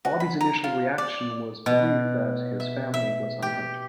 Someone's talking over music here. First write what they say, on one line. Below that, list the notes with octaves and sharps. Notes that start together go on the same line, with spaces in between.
Bobby's initial reaction was relief that his family was unhurt.
F#4
B5
A#5
F4
D5
B2
E5
E5
G4